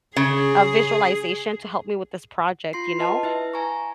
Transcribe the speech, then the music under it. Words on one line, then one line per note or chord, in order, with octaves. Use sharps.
a visualization to help me with this project, you know,
C#3 G#4
F4 C6 C7
B4 D#5 A5
E4 B4 E5
G#5 A#5 C#6